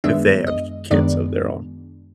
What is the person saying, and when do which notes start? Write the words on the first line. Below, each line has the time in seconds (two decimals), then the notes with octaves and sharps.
if they have k kids of their own.
0.04 F#2 D#3 G#3 B3 D4 E5
0.47 D#5
0.91 F#2 D#3 G#3 B3 D4 D5